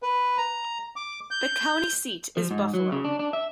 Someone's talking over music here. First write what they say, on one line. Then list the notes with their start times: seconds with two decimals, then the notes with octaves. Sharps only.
The county seat is Buffalo.
0.03 B4
0.38 A#5
0.96 D6
1.31 G6
2.37 F3
2.51 G#2
2.74 F#3
2.92 C#3
3.04 D4
3.19 D4
3.33 E5